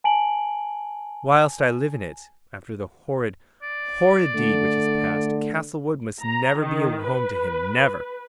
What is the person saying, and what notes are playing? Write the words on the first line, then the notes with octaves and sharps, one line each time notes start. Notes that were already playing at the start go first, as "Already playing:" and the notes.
Whilst I live in it, after the horrid horrid deed which has passed, Castlewood must never be a home to him--never.
G#5 A5 D7 F#7
D5
D3 A3
A#5
D#3
B4